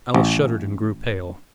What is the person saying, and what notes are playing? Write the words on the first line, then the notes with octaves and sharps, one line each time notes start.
Alice shuddered and grew pale.
A1